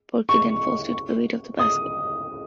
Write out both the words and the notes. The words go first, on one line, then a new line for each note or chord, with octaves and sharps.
Porky then falls due to the weight of the basket.
C#6
D#6